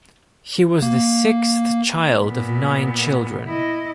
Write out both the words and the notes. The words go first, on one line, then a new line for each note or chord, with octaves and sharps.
He was the sixth child of nine children.
A#3
A#2 B3
E4 D#5